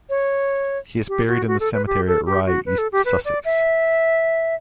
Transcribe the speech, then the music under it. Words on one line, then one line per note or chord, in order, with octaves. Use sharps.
He is buried in the cemetery at Rye, East Sussex.
C#5
G4
F#4
F#4
A4
B4
G4
A4
G4
F#4
B4
A4
G4
B4
D5
E5